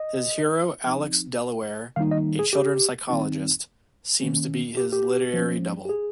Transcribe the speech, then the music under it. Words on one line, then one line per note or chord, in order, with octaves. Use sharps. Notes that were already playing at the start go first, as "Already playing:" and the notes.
His hero Alex Delaware, a children psychologist, seems to be his literary double.
Already playing: D#5
F3 C4 D#4
D#3 G3 A#3 D#4 F5
D#5
G#4
G4
D#3 G3 C4 D#4
D#3 A#3 C#4
G4
G4
F3 A#3 C#4
G4
G#4